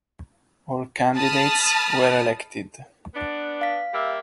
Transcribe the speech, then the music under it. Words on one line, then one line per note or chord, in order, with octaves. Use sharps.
All candidates were elected.
A5 B5 D#6 F6
B3 D4
F5 B6
G3 A#3 E5